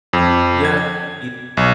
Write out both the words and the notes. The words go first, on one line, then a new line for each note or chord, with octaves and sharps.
Yeah, you
F2
G#6
B1